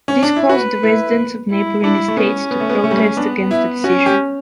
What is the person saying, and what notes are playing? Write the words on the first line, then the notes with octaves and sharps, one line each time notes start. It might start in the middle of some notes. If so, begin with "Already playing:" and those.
This caused the residents of neighbouring estates to protest against the decision.
C#4
D4
E4
F#4 B4
E4
E4
D4 E4
A3
B3 C#4
B3
A3
B3
A3
G3
A3
B3 D4
E4
C#4 F#4
G4